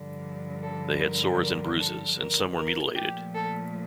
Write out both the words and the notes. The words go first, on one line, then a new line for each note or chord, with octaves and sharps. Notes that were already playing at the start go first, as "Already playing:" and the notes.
They had sores and bruises, and some were mutilated.
Already playing: G2 D3 F3
A4
A#4
A#4
A4
A#4
A#4
A#2 F3 A3 G4
A4